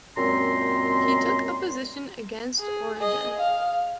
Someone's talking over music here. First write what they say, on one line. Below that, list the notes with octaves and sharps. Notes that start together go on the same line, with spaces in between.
He took a position against Origen.
F#2 A#2 G#3 C4 A#5 C6
G#4
G#4 D#5
F5